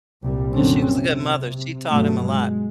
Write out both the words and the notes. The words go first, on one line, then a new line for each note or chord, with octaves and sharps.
Yeah, she was a good mother, she taught him a lot.
C2 A#2 G3
F#1 F#2 A#2 D3 C4 C#4
C3
G2 B2 F#3 A3
G#3